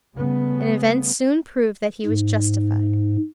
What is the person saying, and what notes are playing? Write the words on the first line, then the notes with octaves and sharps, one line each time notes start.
And events soon proved that he was justified.
C#3 G3 A3 B3
G#2